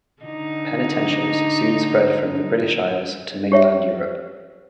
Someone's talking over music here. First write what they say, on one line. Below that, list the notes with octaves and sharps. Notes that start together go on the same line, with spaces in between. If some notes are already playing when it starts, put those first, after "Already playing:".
Penitentials soon spread from the British Isles to mainland Europe.
D3 D#4
G4 C#5 E5